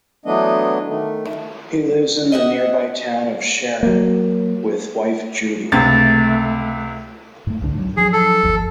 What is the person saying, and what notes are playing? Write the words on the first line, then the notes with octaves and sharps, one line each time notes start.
He lives in the nearby town of Sharon, with wife Judy.
E3 F#3 A3 B3 D4 D#5
D#3 A3
D#5 E5 F#5
F#3 A#3
C#2 C3 A3 A6
G#2 A3
C2 D3 D4
G#2 F#3
F3 F#3 D4 G#4
A4
G1 D#2 F3